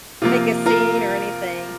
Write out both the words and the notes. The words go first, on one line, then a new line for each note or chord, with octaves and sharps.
Make a scene or anything.
C3 F3 A#3 F4
F4 A#4